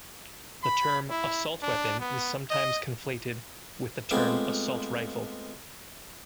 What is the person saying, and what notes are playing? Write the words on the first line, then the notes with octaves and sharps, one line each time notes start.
The term "assault weapon" is sometimes conflated with the term "assault rifle".
B5
E4
D4
B3
D#5
G#3 A3 B3 C4 F4 G4